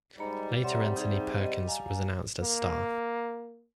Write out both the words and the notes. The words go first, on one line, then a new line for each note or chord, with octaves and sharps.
Later Anthony Perkins was announced as star.
G#2 G3 D#5 A#5 B5 C#7
C3 C#5 D5 E5 F#5 A#5 C6
D#4 G4 G#4
D#5
F5 G#5 A#5
A#3